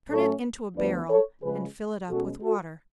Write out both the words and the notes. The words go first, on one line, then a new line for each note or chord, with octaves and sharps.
Turn it into a barrel, and fill it up with water.
A2 F#3 A3 C#4 A4 C#5
D2 D3 F3 B3 D4 B4 D5
A4 C#5
C#3 F3 G#3 C#4 G#4 B4
B2 G#3 C#4 F#4 A4
F#4 A4